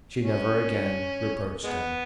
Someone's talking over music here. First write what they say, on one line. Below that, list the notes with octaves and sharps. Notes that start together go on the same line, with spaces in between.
She never again reproached him.
C#4
G#3 B3